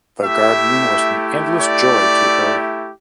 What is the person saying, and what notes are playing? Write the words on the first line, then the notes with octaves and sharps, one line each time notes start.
The garden was an endless joy to her.
A3 E4 G4 E5
D5